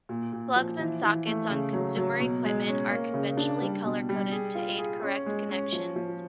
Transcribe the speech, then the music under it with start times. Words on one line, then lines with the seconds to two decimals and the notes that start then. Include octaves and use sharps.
Plugs and sockets on consumer equipment are conventionally color-coded to aid correct connections.
0.09 A#2
0.33 A#2
0.56 F3
0.79 E3
1.03 E3
1.27 A3
1.50 C#3
1.73 F#3
1.97 F#3
2.20 B2
2.45 G#3
2.67 C#4
2.90 A#3
3.14 C#3
3.37 D4
3.62 G3
3.85 B2
4.09 G3
4.32 G#4
4.55 F4
4.79 G#4
5.02 C#4
5.26 G#3
5.49 C#4
5.72 F3
5.96 F3